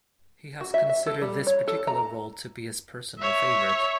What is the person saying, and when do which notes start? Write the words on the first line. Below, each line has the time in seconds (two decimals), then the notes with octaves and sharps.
He has considered this particular role to be his personal favorite.
0.61 F#4
0.74 E5
0.89 E5
1.06 A4
1.21 G3
1.47 C#5
1.67 A4
1.87 A#5
3.19 C#5 E5